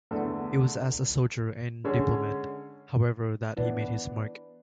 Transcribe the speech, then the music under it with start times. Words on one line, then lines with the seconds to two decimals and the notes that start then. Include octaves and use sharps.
It was as a soldier and diplomat, however, that he made his mark.
0.11 E2 D3 A3 D4 A4
1.84 D3 G#3 C#4 G#4 C#5
3.57 E3 B3 D4